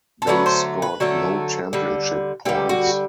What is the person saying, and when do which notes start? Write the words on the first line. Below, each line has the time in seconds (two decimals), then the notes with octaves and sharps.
They scored no championship points.
0.22 A4
0.27 D3 F#3 A3 B4
0.46 C5
0.82 B4
1.00 D3 F#3 A3 A4
1.73 D3 G3
2.45 D3 G3 G4
2.69 F#4